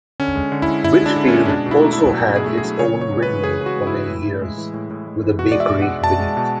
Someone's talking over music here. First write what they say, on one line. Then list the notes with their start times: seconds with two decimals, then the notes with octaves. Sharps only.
Whitfield also had its own windmill for many years, with a bakery beneath.
0.20 D3 C#4
0.36 G#3
0.52 D3
0.62 E4
0.68 G#3
0.84 D3 E4
1.01 G#3 D4
1.16 D3
1.28 G#3 C#4
1.45 C#4
1.49 B2 D4
1.66 B2
1.71 E4
1.82 A3
1.93 E4
1.98 F#3
2.14 B2
2.31 B2
2.36 G#4
2.46 A3
2.58 G#4
2.64 F#3
2.79 C#3 C#5
2.95 C#3
3.01 C#5
3.12 G#3
3.23 B4
3.28 E3
3.44 C#3 G#4
3.61 C#3
3.66 F#4
3.76 G#3
3.87 E4
3.93 E3
4.10 A2
4.25 A2
4.41 G#3
4.58 E3
4.74 A2
4.90 A2
5.07 G#3
5.23 E3
5.38 B2 F#4
5.52 G#3 D5
5.60 E5
5.72 B2
5.82 F#5
5.87 G#3
6.03 B2 A5
6.20 G#3
6.37 B2